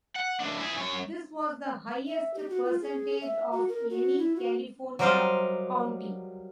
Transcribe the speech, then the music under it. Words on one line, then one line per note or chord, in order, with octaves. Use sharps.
This was the highest percentage of any California county.
F#5
A2 D4
E4 G#4
F#2 C#5
E5
G4
F#4
F4
G#4
E5
F#4
A#4
F#4
E4
F#4
F#3 G3 A#4 C5 D#5 F5